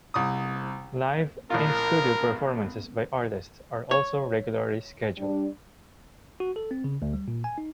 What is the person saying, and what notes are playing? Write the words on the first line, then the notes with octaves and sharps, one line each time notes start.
Live, in-studio performances by artists are also regularly scheduled.
C2 D#6
A#1 A2 F4 A#4
C#5
G3 D4
F#4
A4
C4
C#3
D2
G3
A#2
G#5
D#4